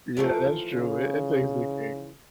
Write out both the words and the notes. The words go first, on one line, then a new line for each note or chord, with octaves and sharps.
Yeah, that's true. It it takes the cake.
E3 F3 A3 A#3 D5
C#3